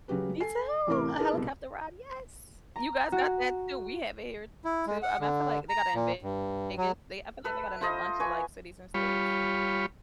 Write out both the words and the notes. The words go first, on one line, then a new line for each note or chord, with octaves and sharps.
Me too! A helicopter ride, yes! You guys got that too. We have it here too, um, I feel like they got it in Vegas. They I feel like they got in a bunch of, like, cities and states.
C#3 F#3 F#4 G4 B4
A4 G#5 C7
A1 A2 C3 E4 A#4 D6
E4 G#4 A#4 B4 A5
C2 B2
A#5
F#4
E4
G#3
F#5
D3
A#5
A#2
G2
F#3
A4 B4 E5 B5
F4 A4 C5 D#5
B4 G#5 C#6
G3 F4 C#5 B5